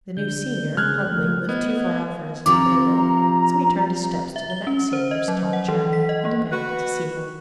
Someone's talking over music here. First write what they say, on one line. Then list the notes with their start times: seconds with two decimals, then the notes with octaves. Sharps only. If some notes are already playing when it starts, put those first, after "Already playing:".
The new senior, Huntley, lived too far off for his lumbago; so he turned his steps to the next senior's, Tom Channing, and demanded to see him.
0.17 D3 G6
0.77 C#3 G#3 F6 F#6 G#6
1.10 F3 A3
1.49 B3 D#5 G#6
2.46 C3 F3 F4 A#5 D6
4.36 E5
4.50 G7
4.67 C#4
4.93 C5
5.11 D#5
5.28 F#3
5.53 F#5
5.68 E3
5.93 B6
6.09 D#5
6.25 A#3
6.52 F#4 B4